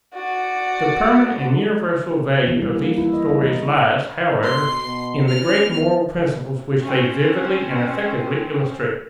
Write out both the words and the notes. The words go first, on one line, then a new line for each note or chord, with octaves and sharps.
The permanent and universal value of these stories lies, however, in the great moral principles which they vividly and effectively illustrate.
F#4 D5
E3
G3
A#3
E4
D#5
D#4
E3
B2 C6
B2
C#4 F6
B3
C4 C#4